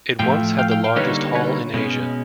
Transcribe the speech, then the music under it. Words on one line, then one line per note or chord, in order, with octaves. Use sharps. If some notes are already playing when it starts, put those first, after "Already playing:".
It once had the largest hall in Asia.
A2 F3 A3 F5 G5
F5 G5
F5 G5
F5 G5
D3 G3 A#3 D#4 B4 C#5
B4 C#5
B2 G#3 C#4